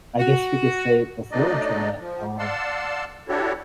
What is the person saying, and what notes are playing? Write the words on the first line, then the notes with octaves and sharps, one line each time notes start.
I guess you could say before internet, um,
F#4
F#3 A3 D4 D#4 D5 D#5
F3
D5 F5 F#5 A5 C6 E6
D4 E4 F#4 G4 A4 C#5